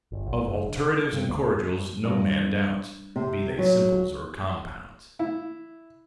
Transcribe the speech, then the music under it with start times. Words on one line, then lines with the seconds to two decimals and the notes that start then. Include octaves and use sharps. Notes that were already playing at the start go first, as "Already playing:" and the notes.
Of alteratives and cordials no man doubts, be they simples or compounds.
0.12 G1
0.26 B1
0.46 F#1
0.69 D3
1.13 G2
1.29 D2
2.05 G2
3.16 C3
3.59 F#3
5.19 E4